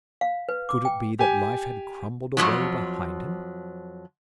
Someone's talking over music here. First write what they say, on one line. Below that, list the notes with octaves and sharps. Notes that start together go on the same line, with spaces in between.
Could it be that life had crumbled away behind him?
F5
B4
D6
G5
G4 G#5
F2 G#2 F3 F#3